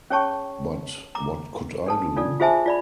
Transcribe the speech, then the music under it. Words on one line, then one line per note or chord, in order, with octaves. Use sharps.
But what could I do?
C#4 G#4 C#5 G5 A5 C#6
A#5 D6
D4 A4 A5
D4 F4 A4 D5
F4 G#4 C5 E5 G#5 A5
F4 D5 B5